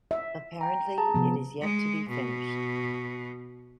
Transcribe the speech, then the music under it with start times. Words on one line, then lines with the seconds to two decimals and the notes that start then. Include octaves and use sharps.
Apparently it is yet to be finished.
0.11 E5
0.61 G5 A#5
0.98 G#4 A5 A#5
1.14 C3 F3 B3
1.61 G#3
2.10 B2